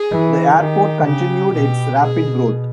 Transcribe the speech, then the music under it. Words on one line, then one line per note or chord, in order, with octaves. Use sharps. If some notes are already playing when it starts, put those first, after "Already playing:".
The airport continued its rapid growth.
Already playing: G#4
E3
D#3 G4
C#3 G4
B2 G4
B2 G#4